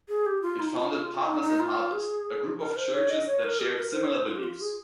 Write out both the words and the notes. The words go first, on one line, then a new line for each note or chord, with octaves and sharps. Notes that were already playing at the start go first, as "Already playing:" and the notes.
It founded Partners in Harvest, a group of churches that shared similar beliefs.
G#4
G4
F4
D#4
F4
D#4
D#4
F4
G#4
A#4
C5
C#5
D#5
C#5
A#4
G4
A#4
C5
C#5
C5
F4
G4
F4
G#4